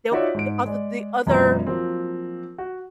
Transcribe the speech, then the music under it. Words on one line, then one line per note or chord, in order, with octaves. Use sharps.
They'll g other The other
D#4 F4 F#4 C#5 D5 E5
G#2 D7
G#3 D5
E1 F#2 G#3 B3 F4 A#5
F3 F#3 A#3 C4
F#4